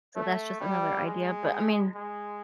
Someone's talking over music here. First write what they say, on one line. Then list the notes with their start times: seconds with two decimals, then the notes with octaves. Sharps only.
So that's just another idea, but I mean
0.16 A3
0.61 G3
1.05 G#3
1.95 G#3